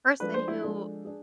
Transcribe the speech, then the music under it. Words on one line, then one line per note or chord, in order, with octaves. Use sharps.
person who
F3 G#3 D4 A4 B4
C5
E4
F3 G#3 D4 A4
D4 G#4